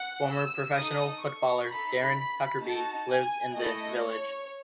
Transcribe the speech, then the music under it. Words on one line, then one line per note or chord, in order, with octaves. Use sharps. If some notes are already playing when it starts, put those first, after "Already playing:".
Former professional footballer Darren Huckerby lives in the village.
Already playing: F#5
E6
D#4 A4 D#6
C#6
D#4 A4 B5
D#4 F#4 A4 A5
G#5
A3 E4 A4 D#5
C#5